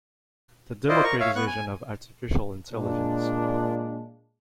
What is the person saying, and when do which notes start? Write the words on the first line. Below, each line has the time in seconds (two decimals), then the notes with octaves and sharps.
The democratization of artificial intelligence.
0.89 E4 F4 C5 D5 D#5
1.04 A#4 C#6
1.20 C#5 E5 F5
1.36 B3 C#6 F#6
1.47 G#5
2.73 A#2 G#3 D4